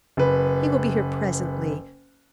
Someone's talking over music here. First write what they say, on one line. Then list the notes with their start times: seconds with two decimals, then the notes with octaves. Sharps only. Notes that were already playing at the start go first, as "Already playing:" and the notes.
He will be here presently.
0.17 F#1 B4